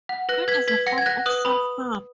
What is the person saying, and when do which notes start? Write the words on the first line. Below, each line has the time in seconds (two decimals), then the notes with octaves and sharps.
It is a form of self-harm.
0.09 F#5
0.29 B4 F#6 A#6
0.48 B4 G#6 B6
0.67 B4 G#6 B6
0.86 F#5 A#6 C#7
0.98 G#6
1.06 F#5 F#6 A#6
1.26 B4 D#6 F#6
1.45 B4 B5 D#6